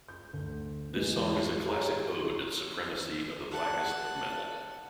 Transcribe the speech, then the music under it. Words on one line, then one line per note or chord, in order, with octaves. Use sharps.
This song is a classic ode to the supremacy of the blackest of Metal.
G6
D2
E2 G#3 B3
G4 G#4 C#5 A#5
F#5 A5